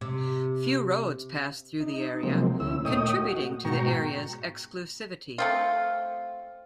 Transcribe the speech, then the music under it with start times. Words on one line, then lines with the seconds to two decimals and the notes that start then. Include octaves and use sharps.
Few roads pass through the area, contributing to the area's exclusivity.
0.01 C3
1.80 D#4
2.23 C3 F3 F#3 G#3 A#3 C4
2.60 D2 C#4 E4 E6
2.85 A#2 A3 C#5 D#5 G5 D#6
3.16 F#4
3.65 G#2 B2 F#4 G5 A#5 C#6
5.38 A3 C4 F4